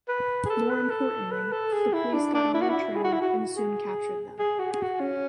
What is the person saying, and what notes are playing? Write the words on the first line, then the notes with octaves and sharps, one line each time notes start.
More importantly, the police got on their trail and soon captured them.
B4
G#4
A4
B4
A4
B4
A4
G#4
E4
D4
D4
E4
F#4
E4
G#4
F#4
E4
F#4
G#4
G#4
F#4
G#4
F#4
C#4